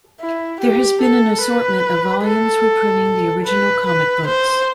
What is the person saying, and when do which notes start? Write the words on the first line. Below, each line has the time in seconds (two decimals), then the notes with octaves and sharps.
There has been an assortment of volumes reprinting the original comic books.
0.20 E4
0.60 G4
1.01 A4
1.42 B4
2.24 A4
3.46 B4
3.86 B4
4.27 C5